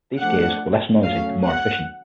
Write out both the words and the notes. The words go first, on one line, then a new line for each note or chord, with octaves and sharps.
These gears were less noisy and more efficient.
F3 A3 D4 F#5
F#3 A3 C#4 F5
F#5